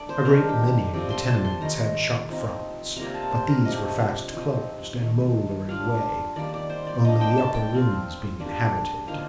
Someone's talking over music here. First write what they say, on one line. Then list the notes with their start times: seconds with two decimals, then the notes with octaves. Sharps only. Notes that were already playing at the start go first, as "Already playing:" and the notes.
A great many of the tenements had shop-fronts; but these were fast closed, and mouldering away; only the upper rooms being inhabited.
Already playing: A3 D4 D5
0.09 C5
0.25 D#3 G3 D4 A#4
0.49 G4
0.94 C3 F3 A3 D5
1.10 C6
1.27 A5
1.45 C6
1.61 D#3 A3 D#4 A#5
2.30 F3 C4 D#4
2.97 C3 G3 A#3 F4 A#5
3.14 A5
3.31 C5
3.48 A#4
3.65 C3 F3 A3 D4 D#5
4.33 C3 F3 C4 D#4
5.01 D#3 A3 D#4
5.68 G3 D4 F4 F5
6.36 D#3 G3 A#3 D5
6.54 D5
6.70 C5
6.87 D5
7.05 F3 A#3 D4 D#5
7.21 G5
7.38 A5
7.54 G5
7.72 F3 C4 F4
8.40 G3 A#3 D4
9.07 D3 F3 A#3 D#4 F5